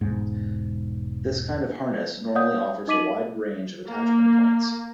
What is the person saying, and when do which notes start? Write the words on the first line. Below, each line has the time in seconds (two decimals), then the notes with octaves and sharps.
This kind of harness normally offers a wide range of attachment points.
0.01 E1 G#2
2.35 C#5 D5 F5 F#5 D#6 G6
2.88 D#4 D#5 D6 B6 D#7 F#7
3.88 A#3